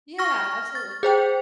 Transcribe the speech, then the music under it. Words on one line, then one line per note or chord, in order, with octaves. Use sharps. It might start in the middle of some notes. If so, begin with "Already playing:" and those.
Yeah, absolutely.
C#6 F6 A#6
A6
G#4 C5 G5